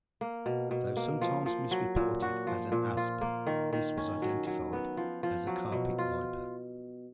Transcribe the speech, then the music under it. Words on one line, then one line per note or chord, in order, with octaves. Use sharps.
Though sometimes misreported as an asp, this was identified as a carpet viper.
A#3
B2
B2
A#3
F3
F3
F#3
A#2
F#4
F3
A#2
F4
A#3
D#3
D#3
C#4
F#3
F#3
B3
F3
F3
F#3
B2
F4